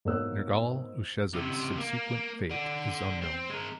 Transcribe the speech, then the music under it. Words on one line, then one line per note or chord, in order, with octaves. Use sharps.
Nergal-ushezib's subsequent fate is unknown.
G#2 B2 A#3 C#5 E6 F#6
C#2 C3
A#3
D5 F#5
C4
G#3 A#4